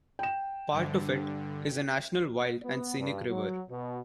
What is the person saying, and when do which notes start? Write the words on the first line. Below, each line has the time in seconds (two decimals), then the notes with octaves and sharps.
Part of it is a National Wild and Scenic River.
0.19 G5 E7
0.72 G2 D3
2.63 B3
2.98 G2
3.29 F#3
3.69 B2